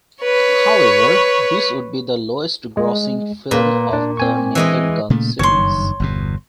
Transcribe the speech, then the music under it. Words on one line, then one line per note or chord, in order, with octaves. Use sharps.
However, this would be the lowest-grossing film of the "Naked Gun" series.
B4 C#5
G#3
A#2 A#3 B4
D4
C4 G#5 C#6
E3 G#3 D#5
A#2 C#3 A3
F#1 G2 D#3 C#5 C6
G1 E2 B2